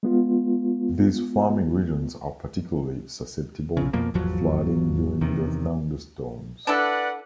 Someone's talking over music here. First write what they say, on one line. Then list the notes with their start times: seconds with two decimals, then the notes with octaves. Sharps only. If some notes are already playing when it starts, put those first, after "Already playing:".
These farming regions are particularly susceptible to flooding during the thunderstorms.
0.03 G#3 B3 F4
3.77 B1 C#3
3.93 F2 B2 F3 A#3
4.14 G#1 E2 F3 F#3
5.21 E2 C3 D#3
6.67 D4 E4 A4 B4 D5 F#5